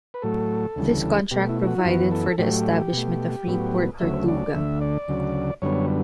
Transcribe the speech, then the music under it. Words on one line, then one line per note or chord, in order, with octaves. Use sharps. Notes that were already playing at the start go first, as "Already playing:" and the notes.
This contract provided for the establishment of Freeport Tortuga.
B4
A2 F#3 A3 A4
D2 C#3 E3 G3
B2 A3 G4
E4
E4
F#4
E4
F#2 E3 B3 F#4
A4
A2 F#3 A3 G4
B2 A3
A2 F#3 B3
D2 C#3 F#3 A3 E5
D5
D2 D3 A3 E5
D5
D2 C#3 F#3
F#2 D3 G3 B3 C#5